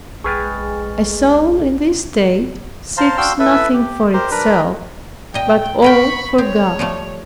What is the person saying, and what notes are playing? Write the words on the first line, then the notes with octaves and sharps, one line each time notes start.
A soul in this state seeks nothing for itself, but all for God.
A#1 G#3 G#4 B4 G5 C#6 F6 A6
C5 F5 A5 A#5 C6
D4 F#4 F5 G5 C6 E6
E4 A4 B4 E5
G4
G4 A#4 C5
D4 A#4 B4
A#2 D#5 G5
A#3 A#4 G5 B5 C#6
C4 C#5
F3 G3 A3